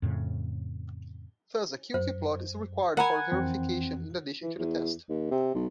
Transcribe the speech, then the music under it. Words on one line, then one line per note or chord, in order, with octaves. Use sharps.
Thus a Q-Q plot is required for verification in addition to the test.
F2 A2 C#3
F#2 C5
A#4 F#5 G#5 A#5 B5
F2 E3 C4
E3
E2
D#2
C3
B1